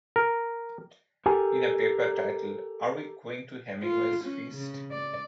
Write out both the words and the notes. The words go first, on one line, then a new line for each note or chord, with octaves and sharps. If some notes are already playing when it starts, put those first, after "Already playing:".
In a paper titled Are We Going to Hemingway's Feast?
A#4
G4 A4 A#4 G#5
F4
C#4
C#3
D5